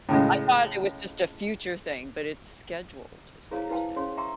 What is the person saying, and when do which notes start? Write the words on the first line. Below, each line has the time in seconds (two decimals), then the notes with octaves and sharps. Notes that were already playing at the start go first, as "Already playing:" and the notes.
I thought it was just a future thing, but it's scheduled, is what you're saying.
0.09 A2 C#3 G#3
3.51 E4 G#4 C5 C#5 F5 A#5
3.70 E4 B4 C5 F5 G5 A5
3.96 C#4 G#4 C5 C#5 F5 C6
4.17 E5 G5 A#5 C6 C#6 E6